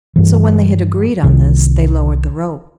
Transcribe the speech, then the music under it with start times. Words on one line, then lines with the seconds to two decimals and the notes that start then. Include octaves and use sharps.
So when they had agreed on this, they lowered the rope.
0.16 G2 E3
1.23 C2 C3 D#3